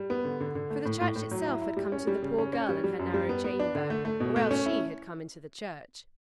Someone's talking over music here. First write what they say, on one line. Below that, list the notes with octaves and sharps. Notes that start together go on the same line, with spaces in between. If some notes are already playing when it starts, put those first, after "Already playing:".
For the church itself had come to the poor girl in her narrow chamber, or else she had come into the church.
Already playing: G3
B3
D3
D3
D3
A3
A2
A2
A2
F#3
E4
E4
G3
C#4
G3
C#3
C#4
C#4
G3
G3
F#2
G3
B3
B3
D4
D3
A3
A3
B2
A3
C#4
E4